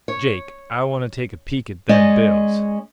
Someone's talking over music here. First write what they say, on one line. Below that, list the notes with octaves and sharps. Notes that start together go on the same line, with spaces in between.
"Jake, I wanta take a peek at them bills."
C#5
G#3 C#4 D5 D#5